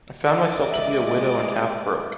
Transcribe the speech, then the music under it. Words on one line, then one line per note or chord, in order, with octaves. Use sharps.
I found myself to be a widow and half broke.
D5 D#5
G#3 E5 F#7